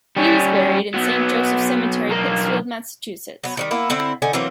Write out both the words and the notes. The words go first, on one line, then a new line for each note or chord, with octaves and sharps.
He is buried in Saint Joseph Cemetery, Pittsfield, Massachusetts.
G3 C#4
F#3 B3
B1 A#3
F#3 B3
D#3 F#3 G3
A#3 B3 E4
D3 C4 E4
D3 D#4 G#5
E3 F#3 A#3 C4